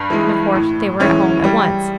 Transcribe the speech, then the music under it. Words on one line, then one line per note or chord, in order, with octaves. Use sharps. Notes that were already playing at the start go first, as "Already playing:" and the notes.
And, of course, they were at home at once.
Already playing: G2
E3 G#3
A2
E3 G#3 C#4
G3